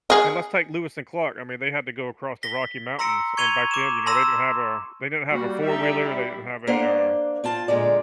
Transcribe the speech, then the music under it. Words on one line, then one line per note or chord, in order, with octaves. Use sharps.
And let's take Lewis and Clark, I mean, they had to go across the Rocky Mountains. And back then, you know, they didn't have a they didn't have a four-wheeler. They didn't have a, uh
G#4 D#5
A#6 B6 G7
A#5 C6 E6 A#6 C#7 D7
C#6 G#6 C#7 D#7 F7 G7
D6 E7
A5 A#5 C6 E6 A#6 E7
G3 A#3 F#4
D#4 G4 E5
E4
A#3 D4 C5 F5 F#5
C4 F4 A5
A#2 D3 G#3 D5